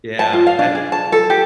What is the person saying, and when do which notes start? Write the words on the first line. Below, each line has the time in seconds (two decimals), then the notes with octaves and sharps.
Yeah. That
0.19 A5
0.33 F4
0.47 F5
0.59 D4
0.75 G#4
0.92 A5
1.12 A4
1.30 G4